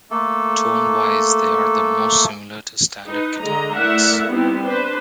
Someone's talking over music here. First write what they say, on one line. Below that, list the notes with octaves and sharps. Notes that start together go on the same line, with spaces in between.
Tone wise, they are the most similar to standard guitar picks.
A3 A#3 A4
D#4 B4
D3 G#3 D#5 A#5
A3 E4 A#4 D5 E5 F#5
G3 B3 C4 D#4 E4
D4 B4 C5